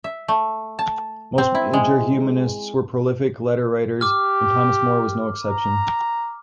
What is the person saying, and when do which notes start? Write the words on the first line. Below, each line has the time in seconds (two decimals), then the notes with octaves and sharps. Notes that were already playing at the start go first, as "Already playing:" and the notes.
Most major humanists were prolific letter writers, and Thomas More was no exception.
0.04 E5
0.28 A3
0.79 A5
1.38 C4
1.55 E4
1.73 G#3
4.01 G4 D6 F6
5.44 A#5